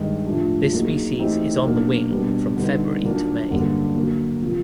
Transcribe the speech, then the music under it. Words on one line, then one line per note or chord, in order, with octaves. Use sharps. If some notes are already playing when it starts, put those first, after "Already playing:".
This species is on the wing from February to May.
Already playing: G2 D#3 G#3
A2 F3 A3 D4 G4
F#3 A#3 D#4 G#4
E3 A3 C4 D#4 G4
B2 F#3 A#3 D4 F#4
B2 G3 B3 D4
D3 G3 B3 D#4
A#2 F#3 A#3 D4
G2 D3 F#3 A#3 C#4
D3 F#3 A#3
C3 F3